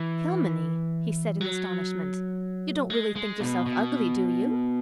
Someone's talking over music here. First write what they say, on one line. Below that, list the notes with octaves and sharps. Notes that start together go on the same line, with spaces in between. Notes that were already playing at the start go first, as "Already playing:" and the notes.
"Kilmeny," he said in astonishment, "you don't really think yourself ugly, do you?"
Already playing: E3
F#3
G#3
G#3
B2
B2